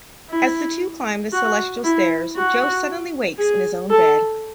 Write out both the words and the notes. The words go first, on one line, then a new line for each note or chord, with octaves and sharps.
As the two climb the Celestial Stairs, Joe suddenly wakes in his own bed.
E4
F#4
E4
F#4
G#4
A4